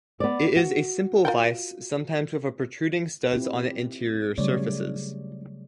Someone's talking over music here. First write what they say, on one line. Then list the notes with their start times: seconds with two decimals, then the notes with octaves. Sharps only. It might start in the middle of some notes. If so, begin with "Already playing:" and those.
It is a simple vice, sometimes with protruding studs on the interior surfaces.
0.20 B3 D5
0.56 F#4
1.25 F4 A#4 G5
3.33 C4 E4 F4 G4
4.38 C#3 F#3 G3 A3 C#5 D5